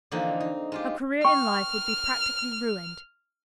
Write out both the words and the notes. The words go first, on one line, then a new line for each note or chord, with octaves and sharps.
Her career in life would be practically ruined.
D3 E3 F3 A#3 C4 D#4
D#4
G#3 F4 G4
G5 C#6 F6